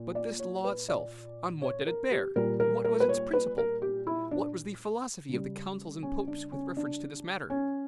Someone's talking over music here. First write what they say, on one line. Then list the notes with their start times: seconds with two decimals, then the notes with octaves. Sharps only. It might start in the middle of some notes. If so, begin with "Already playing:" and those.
But this law itself, on what did it bear?--what was its principle?--what was the philosophy of the councils and popes with reference to this matter?
Already playing: A#2
0.15 D5
0.39 C#5
0.64 B4
0.89 D5
1.62 C#5
1.87 A#4
2.11 G4
2.36 A#2 G3 A#4
2.60 A#4
2.84 A#4
3.00 B4
3.09 C#5
3.33 B4
3.58 A#4
3.82 G4
4.07 E4
4.31 D4
5.29 C#3 G3
6.03 C#4
6.27 D4
6.52 C#4
6.77 D4
7.50 C#4